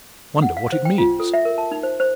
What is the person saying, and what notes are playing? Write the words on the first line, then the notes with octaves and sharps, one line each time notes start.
Wonder what it means!
F#5
F5
C5
G5
F4
A4
E5
A#4
A5
D#4
C5
C5